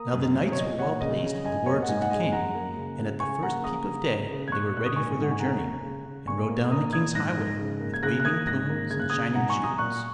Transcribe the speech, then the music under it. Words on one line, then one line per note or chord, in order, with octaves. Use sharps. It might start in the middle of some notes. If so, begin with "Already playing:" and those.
Now the knights were well pleased with the words of the king, and at the first peep of day they were ready for their journey, and rode down the king's highway with waving plumes and shining shields.
Already playing: A#3 A#5 D#6
F#2
F#3
C#5
A#2 D#5
A#2 C#5 F#5
C#3 D#5
C#3
F#2 D#5 G#5
A#3 C#5
D#5
F#5
G#2 D#5 G#5
F#5
G#3 D#5 G#5
F#2 F#5 A#5
A#3
C#3
C#3
C#3 G#5 C#6
A#3 F#5 A#5
C#3 A#5 D#6
C#3
C#3
C#3
G#6
A#2 C#6 F#6
A#2 F#6
D#6
G#2 G#5 C#6
G#2 F#5
G#5
C#3 F#5 A#5
A#3
C#3
C#3
A#2 G#5 C#6
A#3
A#2 A#5 D#6
A#2 D#6 G#6
G#2 F#6 A#6
G#2
C#3
A#3
G#6
C#3 F#6 A#6
F#6
A#3 D#6 G#6
G#2 F#6 A#6
A#3
C#3 G#6
F#6
C#3 D#6 G#6
G#2 F#5 A#5
G#5 C#6
F#3
A#5 D#6
A#2 C#6 F#6